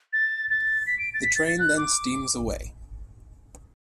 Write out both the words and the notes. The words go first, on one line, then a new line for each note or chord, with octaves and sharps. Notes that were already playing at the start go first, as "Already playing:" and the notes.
The train then steams away.
A6
A6
B6
D7
A6
B6
A6
A6
F#6
D6